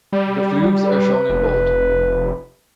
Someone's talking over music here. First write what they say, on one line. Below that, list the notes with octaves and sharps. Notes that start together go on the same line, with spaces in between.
The "fleuves" are shown in bold.
G3
B4
F1